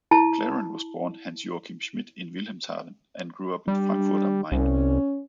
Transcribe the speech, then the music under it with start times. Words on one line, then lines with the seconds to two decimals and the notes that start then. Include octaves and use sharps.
Clarin was born Hans-Joachim Schmid in Wilhelmshaven, and grew up in Frankfurt am Main.
0.11 E4 A5
3.68 G3 D4
4.52 C2 C#4